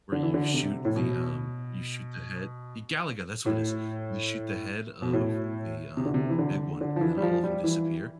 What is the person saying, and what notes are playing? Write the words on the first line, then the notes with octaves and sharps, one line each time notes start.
where you shoot the um, you shoot the head y Galaga, that's what it is. You shoot the head of the, um, big one, and then all of ‘em disappear.
D3
E3
D3
C3
A2
B2
A2
B2
A2
C3
D3
C3
E3
D3
D3
F3
E3
G3
F3
G3
E3